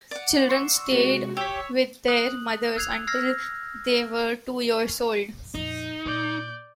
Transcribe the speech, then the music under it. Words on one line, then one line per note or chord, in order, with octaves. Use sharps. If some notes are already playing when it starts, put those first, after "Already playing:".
Children stayed with their mothers until they were two years old.
D5 F#5
C6 C#6 E6
C3 G#3 F#4
G4 C#5 E6 B6
D#6 F#6 F#7
E6 F#6 G#6 C7 F7
E6 F6 G#6 A#6 C7
F2 A#2 D#4
A#2 D5 G6